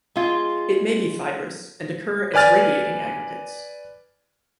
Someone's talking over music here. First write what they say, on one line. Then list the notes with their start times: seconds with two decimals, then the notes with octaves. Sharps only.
It may be fibrous and occur as radiating aggregates.
0.16 G#3 F4
2.34 B4 D5 G#5 F6 A6